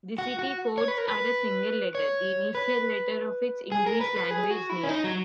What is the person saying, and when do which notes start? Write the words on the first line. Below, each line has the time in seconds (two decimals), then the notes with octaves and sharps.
The city codes are a single letter, the initial letter of its English-language name.
0.18 F#4
0.39 F#4
0.78 C#5
0.88 B4
0.98 A#4
1.08 B4
1.95 C#5
2.55 B4
3.72 G#4
3.86 A#4
4.01 B4
4.16 B4
4.31 G#4
4.50 F#4
4.70 E4
4.83 C#4
4.89 D#4
5.04 F#3